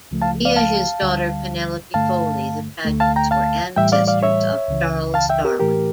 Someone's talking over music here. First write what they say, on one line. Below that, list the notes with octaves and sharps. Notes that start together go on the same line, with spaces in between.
Via his daughter Penelope Foley the Pagets were ancestors of Charles Darwin.
C#2 C#3 F3 A3
F5 A5
D5 F5
F5 A5
D2 D3 G3
G2 D3 A3 F5 A5
D2 D3 A3
F5 A5
G5 A#5
F5 A5
A2 E3 G3 E5 G5
D5 F5
D5 F5
C#5 E5
C#2 C#3 E3
F5 A5
E5 G5
G4 A#4
A2 E3 A3 G4 A#4